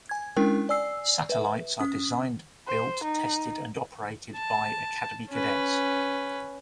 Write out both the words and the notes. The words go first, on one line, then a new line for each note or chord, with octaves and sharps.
Satellites are designed, built, tested, and operated by Academy cadets.
G#5 G#6
G#3 C#4 D4 E4 A#4 G5
D5 G#5 E6 C7
B4 E5
C#4 D#6
C5
D#4
A5
C#4 B4